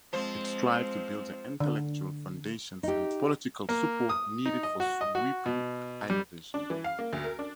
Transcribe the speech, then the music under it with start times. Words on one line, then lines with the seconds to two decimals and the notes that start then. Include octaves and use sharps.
It strives to build the intellectual foundations and political support needed for sweeping innovation.
0.13 F3 G#3 C4 C5
1.60 D3
2.83 D#4 G4
3.69 A#3
4.09 D#6
4.46 D#4
4.63 D#5
4.80 F#4
5.01 D#5
5.15 F#4
5.46 B2
6.10 G3
6.54 D4
6.70 E3
6.84 F5
6.99 A#3
7.13 D2
7.24 A#4
7.39 D4